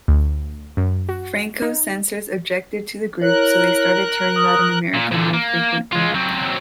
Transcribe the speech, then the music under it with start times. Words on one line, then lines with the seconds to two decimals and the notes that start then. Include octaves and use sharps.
Franco's censors objected to the group, so they started touring Latin America more frequently.
0.08 D2
0.77 F#2
1.09 F#4
1.62 D#4
3.21 E4 A#4 C#5 F#6
4.36 D#6
4.94 A#2
5.12 A#2 D3
5.34 A#3
5.92 G#3 F4
6.15 F#3 C4